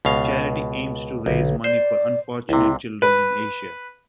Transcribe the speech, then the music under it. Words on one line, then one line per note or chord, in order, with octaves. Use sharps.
The charity aims to raise money for unfortunate children in Asia.
C#2 B2 F5
B1 D3
C5 D5
C#2 C3 E4
B4